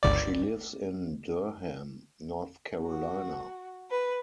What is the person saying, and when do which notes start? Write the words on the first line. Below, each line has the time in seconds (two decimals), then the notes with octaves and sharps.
She lives in Durham, North Carolina.
0.03 G1 C#2 D5
2.84 F#4
3.91 B4